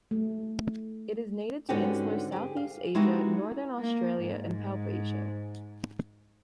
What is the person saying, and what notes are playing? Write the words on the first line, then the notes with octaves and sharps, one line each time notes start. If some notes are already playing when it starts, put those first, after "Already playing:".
It is native to insular Southeast Asia, northern Australia and Papuasia.
A3
G#2 D3 B3 C#4 F#4 G4
G4 G#4
F5
G#3 B3 D#4 E4 F#4 G4
A#3
G#2